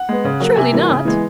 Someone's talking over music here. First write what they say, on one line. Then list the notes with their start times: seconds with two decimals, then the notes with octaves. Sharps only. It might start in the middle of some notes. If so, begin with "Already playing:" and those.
"Surely not?"
Already playing: F#5
0.09 G#3 B3
0.25 C#3
0.40 F#3 A#3
0.56 C3 G#5
0.73 E3 G3 A#3
0.90 C#3
1.05 E3 G#3 B3